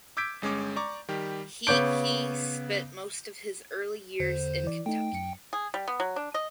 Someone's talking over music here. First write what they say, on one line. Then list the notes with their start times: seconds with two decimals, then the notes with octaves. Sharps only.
He he spent most of his early years in Kentucky.
0.17 D6 E6 G6 G#6 B6 D7
0.42 G1 G#3 C#4 D6
0.76 D5 A#5 C#6 D6
1.08 D#3 G3 G4
1.67 C#3 B3 C#5 D6 G6 D7
4.20 E2 D3 C5
4.64 E3 D5
4.86 A3 D#4 G5
5.13 F#2 C#7
5.53 G#4
5.74 G3
5.88 B3
6.00 F#3
6.16 D4
6.34 D#5